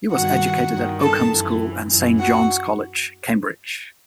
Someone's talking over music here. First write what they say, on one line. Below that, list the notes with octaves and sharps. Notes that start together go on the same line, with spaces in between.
He was educated at Oakham School and Saint John's College, Cambridge.
G2 D#3 F#4 F#5
G2 D#3
A4 A5
F#2 E3
F#2 E3
F#4 F#5